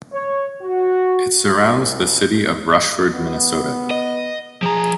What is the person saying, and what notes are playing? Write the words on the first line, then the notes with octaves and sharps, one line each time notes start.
It surrounds the city of Rushford, Minnesota.
C#5
F#4
C2
B3
D#5
F3 G#4 A#5